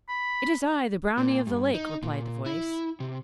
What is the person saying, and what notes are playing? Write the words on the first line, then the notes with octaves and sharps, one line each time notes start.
'It is I, the brownie of the lake,' replied the voice.
B5
A#2
G2
D#4
A#2
E4
C3